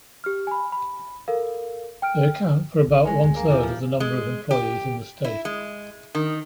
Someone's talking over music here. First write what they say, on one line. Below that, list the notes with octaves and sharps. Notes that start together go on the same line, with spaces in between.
They account for about one-third of the number of employees in the state.
G4 F6
G#5 B5
B5
A4 A#4 F5
G5 F6 D7
A1
G#1 G#3 C#4
D2 G#3
A#3
D#2 E3 F4 G4
F3
G#3
G4
E4
G#3
D#3